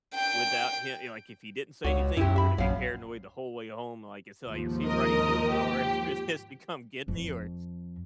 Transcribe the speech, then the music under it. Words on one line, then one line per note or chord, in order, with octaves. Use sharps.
without him you know, like if he didn't say anything, I'm gonna be paranoid the whole way home, like it's like, is he running to his car after this to come get me, or,
G5
C#2 F#4 C#5
C#2
F#2 E4 G4
E5 B5
A#1 F#2 F5
D#2 G#2 F3
A#4 D#5
G4
F2